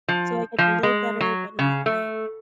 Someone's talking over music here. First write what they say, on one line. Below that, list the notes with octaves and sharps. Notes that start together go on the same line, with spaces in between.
So, like, it's a little better, but not, like,
F3
F3
G#3
F#3
C#3
A3